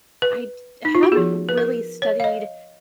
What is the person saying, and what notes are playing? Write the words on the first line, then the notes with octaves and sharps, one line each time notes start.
I d haven't really studied
B4
D#4
F4
F#4
B3 G#4
F3
B4
A#4
C#5
F5
D#5